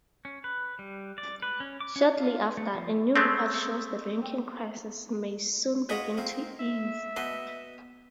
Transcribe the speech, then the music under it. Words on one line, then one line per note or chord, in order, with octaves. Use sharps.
Shortly after, a new report shows the banking crisis may soon begin to ease.
C#4
B4
G3
D5
B4
C#4
D6
C#4
F4
A3
F3
G#3 A3 C4
G#3 F4 F#4 B4 D#5
A#3 C4 F4
E5
B2 B3 D#5